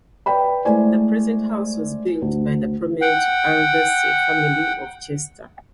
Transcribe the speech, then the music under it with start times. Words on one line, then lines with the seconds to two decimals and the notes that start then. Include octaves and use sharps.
The present house was built by the prominent Aldersey family of Chester.
0.26 B4 D5 G5 B5
0.65 G#3 A3 E4 C5 D5 G#5
2.22 D2
3.02 F#5 G5